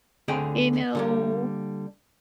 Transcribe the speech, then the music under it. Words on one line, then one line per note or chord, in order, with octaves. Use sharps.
You know?
D2 D3 C4 G#4 G5 B5
D3 G3 A#3